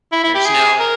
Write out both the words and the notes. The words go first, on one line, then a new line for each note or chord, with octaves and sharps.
There's no
E4
E4
G4
G#4
A#4